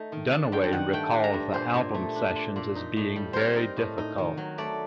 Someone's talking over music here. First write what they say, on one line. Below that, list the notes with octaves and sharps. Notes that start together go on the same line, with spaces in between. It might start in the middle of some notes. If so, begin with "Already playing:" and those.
Dunaway recalled the album sessions as being very difficult.
Already playing: A3 D#4 A5
D#3
D4 A5
G2 G5
D#3 F#5
A3 G5
D4
A#5
G2
A#2 C5
A#2
A3
D4
A#2
A#2
D#4
A2
G3
C4 A#4 C5
D#4
A2
D#4
D#3
F#3
A3 D5